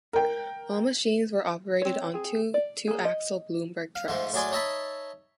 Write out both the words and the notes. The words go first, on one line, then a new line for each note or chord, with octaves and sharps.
All machines were operated on two two-axle Bloomberg trucks.
A#4 G5
C4 C#5
C4 G#4
D5
A#3 G#4
D#5
F5
G#2 F3 G#3 A3
A2 F#3 G#4 D5 G#5 C6
D#4 C#5 D#5 E5 A5 B5